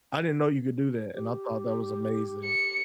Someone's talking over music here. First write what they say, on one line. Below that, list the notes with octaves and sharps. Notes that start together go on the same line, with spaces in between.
I didn't know you could do that, and I thought that was amazing, and
G4
C#7